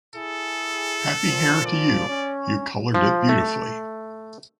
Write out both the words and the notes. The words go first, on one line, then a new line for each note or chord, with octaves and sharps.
Happy hair to you. You colored it beautifully.
E4 G#4 A4
A#2 F3
D5
C#4
F3
A3